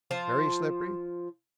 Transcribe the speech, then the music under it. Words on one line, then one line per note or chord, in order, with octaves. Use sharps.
"Very slippery?"
F3 F4 C5 A5